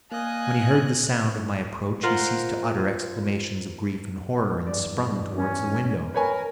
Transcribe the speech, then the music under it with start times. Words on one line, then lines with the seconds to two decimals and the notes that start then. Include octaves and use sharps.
When he heard the sound of my approach, he ceased to utter exclamations of grief and horror and sprung towards the window.
0.12 A#3 A#4 D5 D#5 F5 G#5 D#6 F#6
2.03 F4 A#4 C5 F#5
4.67 E2 G2 D5
5.35 C#4
6.14 A#4 B4 C#5 G#5